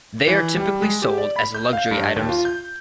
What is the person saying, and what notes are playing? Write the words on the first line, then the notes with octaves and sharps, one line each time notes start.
They are typically sold as luxury items.
E3
G3
G#3
G4
D5
B5
G6
F5
G2
D#2
F4
G6